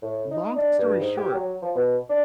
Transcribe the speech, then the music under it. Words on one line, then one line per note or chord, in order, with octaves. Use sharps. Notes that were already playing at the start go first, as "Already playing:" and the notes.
long story short,
A2
D#4
D4
G2
G#2
G4
F#3
F3
B2
D4